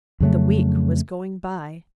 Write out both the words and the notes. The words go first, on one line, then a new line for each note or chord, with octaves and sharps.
The week was going by.
F2 C#3 F#3 A3